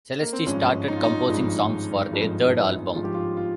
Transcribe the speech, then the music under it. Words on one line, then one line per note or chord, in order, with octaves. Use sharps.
Celesty started composing songs for their third album.
A#3
C4
G#1 G2 F3 G#3 C#4
D#4
F4
D#4
G#1 G2 F3 G#3
G#1 G2 F3 G#3
G#1 G2 F3 G#3 F4
G4
F4
F4